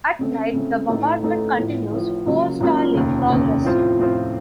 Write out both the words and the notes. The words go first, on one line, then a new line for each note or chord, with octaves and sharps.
At night the bombardment continues, forestalling progress.
C#3 A3 C4
C#3 A3 C4
A1 A2 A3 D#4 A4
A1 A2 A3 D#4 A4
A1 A2 F3
A1 A2 F3
C#2 C#3 F#3 A#3 F4
C#2 C#3 F#3 A#3 F4
F1 D#2 C#3
F1 D#2 C#3
A2 F3 C4 F4 C5
A2 F3 C4 F4 C5